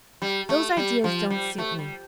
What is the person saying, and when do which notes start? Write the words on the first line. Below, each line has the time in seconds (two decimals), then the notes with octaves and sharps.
Those ideas don't suit me.
0.22 G3
0.49 A3
0.77 G3
1.04 F3
1.30 G3
1.58 A3
1.79 G3